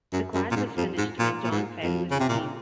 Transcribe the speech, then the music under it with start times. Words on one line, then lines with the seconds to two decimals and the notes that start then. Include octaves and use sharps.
The quad was finished when John Fell was Dean.
0.13 F#2
0.34 F#2
0.51 A#2
0.56 G#2
0.77 F2
0.97 G#2
1.19 A#2
1.44 A#2
1.51 G#2
1.83 F2
2.11 C#3
2.20 C3
2.29 A#2